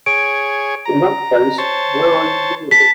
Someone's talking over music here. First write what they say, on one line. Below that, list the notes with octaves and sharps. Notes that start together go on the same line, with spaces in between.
In that case, where are you, really?
G#4 C#5 D7
A#5
C5 C#5 A5
A5 B6